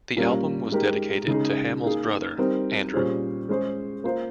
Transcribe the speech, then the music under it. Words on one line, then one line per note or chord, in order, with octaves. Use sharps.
The album was dedicated to Hammill's brother, Andrew.
A#2 G3 A#3 C#4
G#3 D#4 G4 A#4
C#3 G#3 D#4 G#4
A#3 D#4 G#4
G3 C4 D#4 A#4
A#2 G3 C#4 G#4 C5
G#3 C#4 G#4 C5
A#3 F4 C5